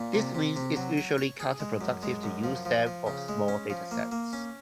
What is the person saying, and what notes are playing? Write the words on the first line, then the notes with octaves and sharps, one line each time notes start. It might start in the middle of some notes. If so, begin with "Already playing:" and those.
This means it's usually counter-productive to use them for small datasets.
Already playing: A#2
C3
C3
C3
F#3
C#5
C#5
G#4
G#3
F#2
G#3
F#2
F3
F3
F3
C#3
G#3
C#4
F3
A#3
A#3
C#4